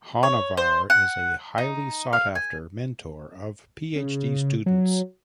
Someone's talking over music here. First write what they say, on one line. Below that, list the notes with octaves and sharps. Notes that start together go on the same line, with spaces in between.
Honavar is a highly sought after mentor of Ph.D. students.
C#5
C5
F#5
D#4
F5
G#5
C#3
F#3